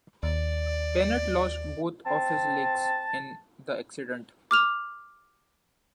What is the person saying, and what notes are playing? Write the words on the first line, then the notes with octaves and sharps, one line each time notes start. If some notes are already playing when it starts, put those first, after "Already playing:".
Bennett lost both of his legs in the accident.
D#2 D5
C4 A5
D6 F6 F7